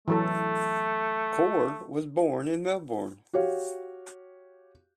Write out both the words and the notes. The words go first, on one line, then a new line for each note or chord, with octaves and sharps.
Corr was born in Melbourne.
E3 F#3 A3 A4
F#4 G4 C#5 F5